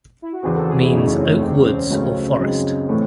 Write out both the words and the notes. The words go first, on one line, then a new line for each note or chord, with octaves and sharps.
Means Oak woods or forest.
E4
F#4
E2 C#3 E3 C4 F#4 G#4
A4
G#4
E4
F#1 E2 C#3 F#3 A3 D#4
C#4
C4
A3
E1 E2 C#3 C4
C#4
C4
C#2 C#3 F#3 A3 C#4
F#2 C#3 G#3 D#4
A2 E3 A3